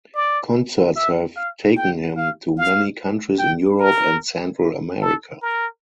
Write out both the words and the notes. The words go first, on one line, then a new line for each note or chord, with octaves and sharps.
Concerts have taken him to many countries in Europe and Central America.
D5
E5
F5
G5
F5
F5
G5
A#4
A4
A#4